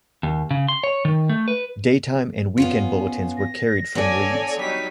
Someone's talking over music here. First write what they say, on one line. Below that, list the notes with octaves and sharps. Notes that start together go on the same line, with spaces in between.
Daytime and weekend bulletins were carried from Leeds.
D#2
C#3
C6
C#5
D#3
A3
B4
B3 C#4 F4
A#6
B3 D4 A4 C#5 D5 G#5
F#3 G3 D#4 B6